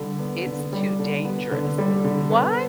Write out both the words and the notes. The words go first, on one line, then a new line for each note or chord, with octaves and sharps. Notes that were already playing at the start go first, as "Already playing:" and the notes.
It's too dangerous." What?
Already playing: D3 G3
B3
D3
G3
D3
B3
D3
G3
D3
B3